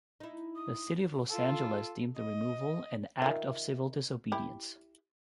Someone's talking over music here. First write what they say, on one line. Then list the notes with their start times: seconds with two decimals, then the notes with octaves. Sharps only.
The City of Los Angeles deemed the removal an act of civil disobedience.
0.20 D#4 E4
0.56 D#6
1.29 F4 A4
2.16 D#5
3.22 D#3 F4 E5
4.32 E4 G4